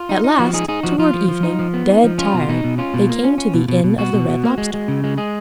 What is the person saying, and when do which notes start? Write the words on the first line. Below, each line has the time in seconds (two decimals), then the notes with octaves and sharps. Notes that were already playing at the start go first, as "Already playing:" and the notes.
At last, toward evening, dead tired, they came to the Inn of the Red Lobster.
Already playing: F4
0.09 D#4
0.24 D#4
0.39 F3 F#4
0.53 D#4 G#4
0.68 D#4 G#4
0.83 F3 F#4
0.98 F3 F4
1.14 F3
1.29 F3
1.43 D#4
1.59 F3
1.74 B3
1.89 D#4
2.04 F3
2.18 C#4 F4
2.34 B2
2.49 B2 D#4
2.64 B2
2.78 C#4 F4
2.94 B2
3.09 A#3
3.24 C#4
3.38 C#4
3.54 B2
3.68 B2
3.84 B2
3.98 B2 F#4
4.13 B2
4.28 B2
4.44 A#3
4.58 G#3
4.74 G#3
4.88 C#3
5.04 G#3
5.18 G#3 G#4